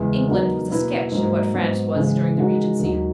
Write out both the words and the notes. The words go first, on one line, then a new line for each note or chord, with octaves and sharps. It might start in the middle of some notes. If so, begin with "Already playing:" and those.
England was a sketch of what France was during the regency.
Already playing: E2 C#3 G#3
D#3 F#3 B3 F#4
B2 A#3 E4 B4
G#2 F#3 A#3
G#2 F#3 B3 F#4
C#3 E3 G#3
D#3 G#3 C#4 F#4 A#4
D#2 D#3 F#3